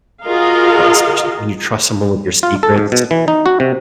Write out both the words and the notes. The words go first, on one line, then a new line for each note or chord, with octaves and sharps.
well, especially when you trust someone with your secrets.
F4 F#4 G#4 A#4 D#5 F5
F4
A4
G#2
B2
E3
D#4
F#4
C3